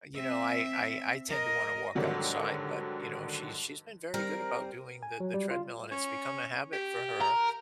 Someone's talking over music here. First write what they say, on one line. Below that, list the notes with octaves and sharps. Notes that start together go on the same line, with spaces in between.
uh, you know, I I I tend to wanna walk outside, but, you know, she's she's been very good about doing the the treadmill and it's become a habit for her,
C4 E5
A#4 D#5
G#2 D3 D#3 F#3 G3
G3 C4 A#4
G#5
F#3
G3
F4
C#4
G4
A#4